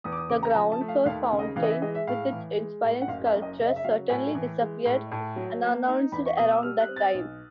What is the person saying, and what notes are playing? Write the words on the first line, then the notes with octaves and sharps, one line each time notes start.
The ground-floor fountain, with its inspiring sculpture, certainly disappeared unannounced around that time.
E2 D#6
D6
D#6
C#3 D6
A#5
A5
F3 A#5
A5
A3
F5
D#2 F5
C#3
D#5
E3 F5
D#5
E5
G#3 D#5
E5
A2 F5
E3
G#3
A2
F#5
F#1 F5
E5
F#2
D#5
C#3 E5
E5
F#3 F5
A2 G#5
E3
G#3
A2
A2 A5
F#3
A#3
D#4
E2 B5
C#6
B2 D#6
E6
G3 F6
F#6
C4
A6
B1